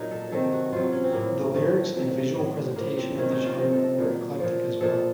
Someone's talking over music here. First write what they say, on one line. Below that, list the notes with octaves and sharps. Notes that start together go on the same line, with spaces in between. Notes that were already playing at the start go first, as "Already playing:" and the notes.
The lyrics and visual presentation of the genre are eclectic as well.
Already playing: A#2 F#3 D#4
A4
C3 D#3 F#3 A4
F#4
C3 F#3 F4
C#4
C4
A2 F#3 A#3
A2 F3 A3
C3 F#3
A2 F#3
A2 F3 A#3
C4
C3 D#3 F#3 C#4
D#4
F4
C3 F3 A#4
A4
A#2 F#3
A#2 F3
A#2 F3 A4